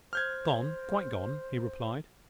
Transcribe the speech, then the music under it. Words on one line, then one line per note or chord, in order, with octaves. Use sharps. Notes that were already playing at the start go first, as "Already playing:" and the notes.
"Gone, quite gone," he replied.
C5 F6 G6 G#6